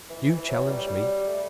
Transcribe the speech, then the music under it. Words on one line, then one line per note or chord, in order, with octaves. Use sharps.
You challenged me.
E3
E3
F#3
G3
G3
A3